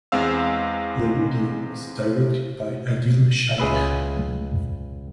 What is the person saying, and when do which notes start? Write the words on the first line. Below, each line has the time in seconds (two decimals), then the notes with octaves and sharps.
The video was directed by Adil Shaikh.
0.12 E2 G#3 C4 F5 E6
3.58 C#2 G#4 B4 E5